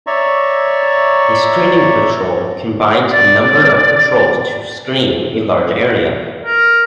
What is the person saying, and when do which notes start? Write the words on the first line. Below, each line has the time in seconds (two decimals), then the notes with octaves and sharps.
A screening patrol combines a number of patrols to 'screen' a large area.
0.07 C#5 D5 E5 A#5 C#6
3.11 D5
6.45 A#4